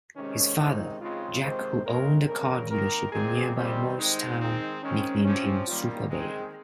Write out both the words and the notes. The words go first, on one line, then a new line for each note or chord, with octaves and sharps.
His father, Jack-who owned a car dealership in nearby Morristown-nicknamed him Super Babe.
C3 D#3 G#3 C#4
C3 D#3 G#3 C4 D#4
C#3 G#3 C4 F4
C3 D#3 G#3 C4 C5
C#3 G#3 C4 A#4
C#3 G3 C4 A#4
D#3 A#3 A#4
A#2 G#3 C4 G#4
C3 D#3 G3 C4
D#3 G#3 C4 D#4
D#3 G#3 C4
D#3 G#3 C4 C#4
C3 F3 C4 C#4
D#3 G3 A#3 F4
D#3 G#3 C4 G#4